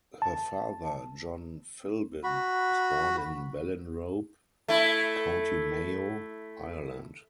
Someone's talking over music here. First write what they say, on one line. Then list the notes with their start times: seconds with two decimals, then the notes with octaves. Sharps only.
Her father, John Philbin, was born in Ballinrobe, County Mayo, Ireland.
0.22 A5
2.23 F#4 B5
4.68 A3 E4